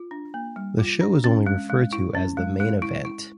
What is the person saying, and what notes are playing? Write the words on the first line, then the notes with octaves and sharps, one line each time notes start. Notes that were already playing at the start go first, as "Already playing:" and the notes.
The show was only referred to as The Main Event.
Already playing: F4
D4
A#3
G3
F4
D4
C#4
G#3
G#3
E4
C#4
G#3
G#3
E4
E4